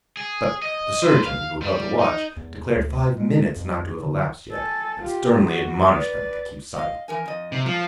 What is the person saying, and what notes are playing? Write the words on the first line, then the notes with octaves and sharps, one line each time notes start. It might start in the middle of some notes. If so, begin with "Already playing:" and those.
But the surgeon who held the watch, declared five minutes not to have elapsed yet, and sternly admonished them to keep silence.
G#4
D#5
B4 C5
F5
G3
D#4
E2
D2
G#3
F2
D3
A4 G#5
F4 G4
F#4
B4 D5
D#5 F5
E3 A#4 G#5
F2 D#5
C3
F3 A4